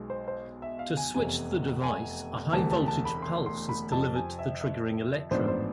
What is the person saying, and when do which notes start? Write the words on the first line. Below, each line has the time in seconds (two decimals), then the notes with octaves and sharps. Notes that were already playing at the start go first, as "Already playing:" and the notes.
To switch the device, a high voltage pulse is delivered to the triggering electrode.
Already playing: B1 B2 G#3
0.10 C5
0.28 C5
0.62 E5
0.79 F5
0.97 G#5
1.14 F1 E2 C3 G#5
1.83 G#5
2.53 E1 D2 C3 E3 A5
2.71 A5
2.88 A5
3.05 B5
3.22 C6
3.46 C6
3.69 B5
3.91 F2 C3 F3 A5
4.15 G#5
4.39 E5
4.61 E5
5.31 A1 G#2 F3 B3 D4 C5
5.48 C5